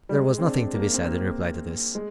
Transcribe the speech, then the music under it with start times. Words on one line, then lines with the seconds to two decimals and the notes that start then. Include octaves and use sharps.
There was nothing to be said in reply to this.
0.09 G3
0.14 G#3
0.38 C4
0.45 D4
0.74 A#3
0.94 C4
1.05 A#3
1.95 G#3